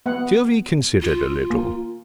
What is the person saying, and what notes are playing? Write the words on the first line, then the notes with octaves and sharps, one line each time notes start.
Sylvie considered a little.
B3 F#5
F4
A#3